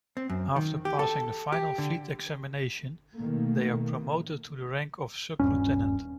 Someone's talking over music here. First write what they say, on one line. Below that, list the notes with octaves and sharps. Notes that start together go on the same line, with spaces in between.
After passing the final fleet examination, they are promoted to the rank of sub-lieutenant.
C4
F#2
D#3
G4
A4
G4
D3
B2 D#3 A3 A#3
D#1 G#1 G2 C#4